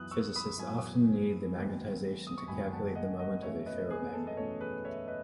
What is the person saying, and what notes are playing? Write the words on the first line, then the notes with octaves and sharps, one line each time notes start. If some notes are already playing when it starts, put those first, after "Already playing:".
Physicists often need the magnetization to calculate the moment of a ferromagnet.
Already playing: F#2 E3 B3 D#6 F#6
C#6 E6
B5 D#6
F#2 E3 B3 G#5 B5
F#1 F#2 D#3 G#3 B3
D#6
C#6
F#1 F#2 D#3 G#3 B3 G#5 B5
F#5 A5
D#5 F#5
D#5 F#5
E2 B2 A3 C#4 C#5 E5
B4 D#5
G#4 B4
A4
D#5
E2 B2 A3 C#4 A4 C#5
G#4 B4
C#5 E5
B4 D#5